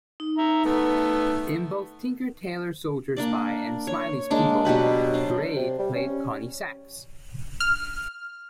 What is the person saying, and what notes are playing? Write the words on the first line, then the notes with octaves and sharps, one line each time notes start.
In both "Tinker Tailor Soldier Spy" and "Smiley's People" Reid played Connie Sachs.
D#4
E5 A#5
A3 B3
A#3 D4 D5
C#5
G#3 A#3 D4 D6
B2 F#3 G4 B4
D4 C5
C3
G3
C#4
F6